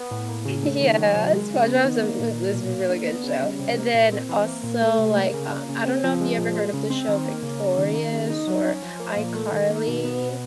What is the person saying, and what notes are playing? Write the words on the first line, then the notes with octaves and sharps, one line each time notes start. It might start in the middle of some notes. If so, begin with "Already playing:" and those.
Yeah. SpongeBob's a m is a really good show, and then also, like, um, I don't know if you ever heard of the show Victorious or iCarly?
Already playing: B3
A2
A#3
C#3
A3
D#3
F#3
C3
G#3
C#3
B3
D#3
A#3
A#2
A#3
B2
A#3
D3
B3
C#3
G3
C3
A#3
A#2
C4
E3
A#3
A#2
A3
C3
A#3
C#3
A#3
C#3
C4
F3
G#3
A#2
G#3
C#3
C4
D#3
A#3
C#3
A#3
D#3
A#3
C#3
D#4
F#3
C#4
F3
A#3
A#2
A3
D#3
A#3
B2
B3
B2